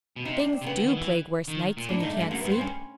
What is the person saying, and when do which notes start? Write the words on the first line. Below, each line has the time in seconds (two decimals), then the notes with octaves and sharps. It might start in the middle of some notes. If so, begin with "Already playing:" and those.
Things DO plague worse nights, when you can't sleep.
0.16 B2
0.25 C3 D#4
0.39 D4
0.53 C4
0.62 C3
0.66 C#3 B3
0.76 D3
0.87 D#3
0.97 E3
1.48 D#3
1.77 A#2
1.89 A2 D4
2.00 G#2 D#4
2.10 A3
2.17 G2
2.20 G#3
2.31 F#2 A#3
2.41 G2 B3
2.52 C4
2.57 G2
2.61 C#4